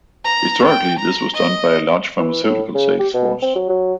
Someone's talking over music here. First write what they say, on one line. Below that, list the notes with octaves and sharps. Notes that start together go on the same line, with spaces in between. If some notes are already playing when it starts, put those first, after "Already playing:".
Historically, this was done by a large pharmaceutical sales force.
A#5
G5
A#5
D#5
E3
A2
C#3
G4
B2
C4
F#3
F#3